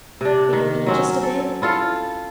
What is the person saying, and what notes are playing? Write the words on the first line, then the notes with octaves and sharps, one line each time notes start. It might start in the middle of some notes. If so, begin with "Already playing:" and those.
But you'll eat just a bit?
C3 D4
D#3
F#3 C4 C#4
A4
E4 F4 A4 F5